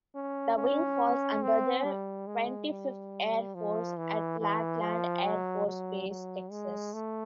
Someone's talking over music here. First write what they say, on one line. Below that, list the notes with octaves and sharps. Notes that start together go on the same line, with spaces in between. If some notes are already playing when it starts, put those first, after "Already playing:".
The wing falls under the Twenty-Fifth Air Force at Lackland Air Force Base, Texas.
C#4
C#4
C4
G3
G#3
G3
F3
E3
E3
F3
F#3
F#3
F#3
G#3
A3